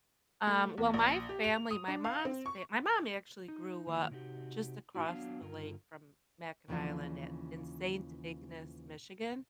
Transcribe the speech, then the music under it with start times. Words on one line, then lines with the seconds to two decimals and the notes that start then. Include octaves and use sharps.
Um, well, my family my mom's fa my mom actually grew up just across the lake from Mackinac Island at in Saint Ignace, Michigan.
0.47 A3
0.78 E2
0.94 A#1
1.29 G4
1.44 F7
1.71 D#6
1.88 D4
2.04 F5
2.25 C4
2.46 C#6
3.48 D#4
3.87 D#3 F3 A#3
4.11 C3 D#4 F#4 G4
4.95 A2 D#4 E4 F#4
5.08 F#3 B3 D4 F5
5.41 G2 D3 F4 A#4
6.68 D#2 C#3 E3 F3 D4 F4